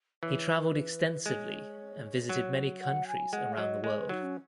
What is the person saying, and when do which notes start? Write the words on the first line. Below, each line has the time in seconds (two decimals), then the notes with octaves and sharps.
He traveled extensively and visited many countries around the world.
0.23 E3 C#5
0.49 B4
1.26 G#3 C#5
2.29 F#3
2.80 F#5
3.07 G#5
3.32 G#3 F#5
3.52 E5
3.57 F#3 D#5
3.84 G#3 D#5
3.97 B4
4.09 F#3 D#4
4.22 C#4